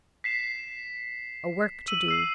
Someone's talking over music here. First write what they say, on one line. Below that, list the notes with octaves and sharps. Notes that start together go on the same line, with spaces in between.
A work to do.
B6 C7 E7
E6 D#7 F#7
E6 C7